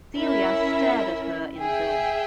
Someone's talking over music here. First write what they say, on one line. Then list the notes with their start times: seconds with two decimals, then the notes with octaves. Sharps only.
Celia stared at her in dread.
0.16 C#4 E4 A#4 E5
1.59 G#4 E5 G5